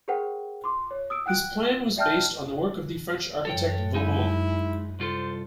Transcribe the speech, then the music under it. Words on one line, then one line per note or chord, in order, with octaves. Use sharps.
His plan was based on the work of the French architect Vauban.
G#4 A#4 C5 F#5 G5
C6 D6
C#5
D#6 E6 D7
F#5 G5 F#6 D7
D5 E5 G5 A5 F6 G6
F#2 A4 C#5 G5
G#3 D#4 E4 G#5
C2 F4 A4 C5